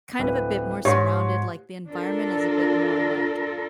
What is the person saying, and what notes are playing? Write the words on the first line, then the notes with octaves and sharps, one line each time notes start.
kind of a bit more surrounded, like, the environment is a bit more like
D1 B4
G#2 G4 C#5 C6
D4 F4 A4 A#4